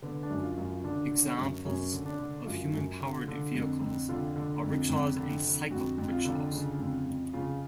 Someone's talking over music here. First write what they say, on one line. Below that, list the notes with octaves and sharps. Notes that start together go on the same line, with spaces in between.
Examples of human-powered vehicles are rickshaws and cycle rickshaws.
D3 B3
D4
F#2
F4
F#2
F4
F4
D3 D4
D3
C#4
F#2
F#2 C#4
D3
D4
D3
F#2 F4
F#2
D3
D3
F2
F2
D3 F4
D3
F2
F2
D3
D3
F2 F#4
F2
F4
D3
C#3
F2
F2
C#3 F4